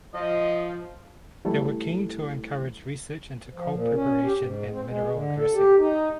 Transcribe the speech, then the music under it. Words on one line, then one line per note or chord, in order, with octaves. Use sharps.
They were keen to encourage research into coal preparation and mineral dressing.
F3 D#5
E3 G3 A3 E4 A4
F3
A#2
C#4
G4
G#2
C4
G#3
D3
A4
G4
D#4